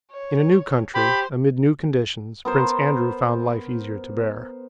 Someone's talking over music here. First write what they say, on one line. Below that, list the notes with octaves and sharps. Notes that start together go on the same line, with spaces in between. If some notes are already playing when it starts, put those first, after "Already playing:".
In a new country, amid new conditions, Prince Andrew found life easier to bear.
C#5
G4 C5 B5
B3 A#4 C5